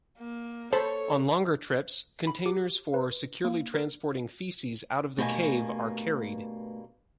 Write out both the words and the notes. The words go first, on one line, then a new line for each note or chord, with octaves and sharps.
On longer trips, containers for securely transporting feces out of the cave are carried.
A#3
A4 C5 C#5 B5
B5
G4
B4
A#3
A#4
G2 B2 A3 A#3 G#5